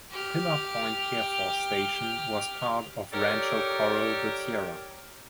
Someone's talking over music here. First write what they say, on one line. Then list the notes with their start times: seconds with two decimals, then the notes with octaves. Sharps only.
Pillar Point Air Force Station was part of Rancho Corral de Tierra.
0.11 G4 F6
3.12 D#4 G4 A4 A#4 C#5 D5